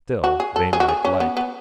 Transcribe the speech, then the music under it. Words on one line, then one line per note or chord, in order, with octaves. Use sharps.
Still they might like.
F#4
G#4
A4
G#4
F#4
G#4
C#4
B3
B3